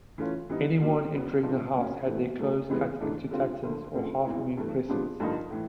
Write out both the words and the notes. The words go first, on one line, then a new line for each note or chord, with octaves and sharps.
Anyone entering the house had their clothes cut into tatters or half-moon crescents.
E3 A3 C#4 F4
E3 G3 B3 D#4
A#2 F#3 A#3 D4
C#3 F#3 B3
G#2 F3 G#3 B3 D4
A#2 F#3 A#3 C#4
C3 E3 A3
B2 F#3 A3
C#2 C3 E3 G#3 B3
G#2 E3 A3 D4
D3 G3 C4 F4
D2 D3 F3
D2 C#3 F3 A3 C4
E2 B2 G#3 C4 E4
G2 E3 A3
C3 F3 G#3 B3 D4
G2 D3 F3 A#3 D#4
A2 E3